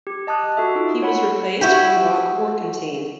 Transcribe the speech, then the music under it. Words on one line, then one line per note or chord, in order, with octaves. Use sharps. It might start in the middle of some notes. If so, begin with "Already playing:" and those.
He was replaced by Mark Warkentien.
G4
D#5 A5 D#6 F#6
F#4 A4 E5
D#4 F4 A4
C#5 F#5 B5
E4 F#4 G4